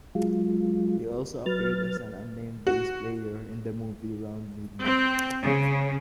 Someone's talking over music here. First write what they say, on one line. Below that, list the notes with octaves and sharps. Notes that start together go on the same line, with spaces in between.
He also appeared as an unnamed bass player in the movie "Round Midnight".
F#3 G#3 F4
F#3 B4 F6 A6
F#4
C4
C#3